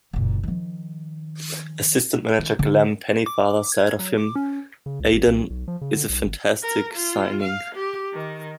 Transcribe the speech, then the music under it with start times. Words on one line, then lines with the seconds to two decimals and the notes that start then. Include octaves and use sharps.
Assistant-manager Glenn Pennyfather said of him, Aidan is a fantastic signing.
0.13 F#1 A#2
0.43 D#3 F3
2.39 D#3
2.59 D3 D#3
3.26 D6
3.72 G#6
3.99 F#3
4.18 D6
4.36 C#4
4.86 C#3
5.00 C#2
5.13 G#1
5.27 B1
5.50 B1
5.68 F3
5.81 C#3
5.94 D3
6.09 B1
6.25 G1
6.63 A#4
6.94 F4
7.43 F5
7.75 G4
8.13 D#3